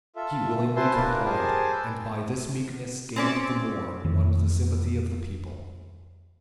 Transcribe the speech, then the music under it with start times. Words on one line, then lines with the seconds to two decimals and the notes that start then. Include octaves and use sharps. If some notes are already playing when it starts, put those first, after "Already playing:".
He willingly complied; and by this meekness gained the more on the sympathy of the people.
0.16 F4 A4 E5
0.76 B4 C5 E5 G#5 A5 C6
0.95 D4 F4 A#4 B4
1.25 G4 G#4 A#4 C5 G#5 A5
1.73 B4 E6 G6
3.16 C4 C#4 D5
4.04 F2 D#3 E3 A3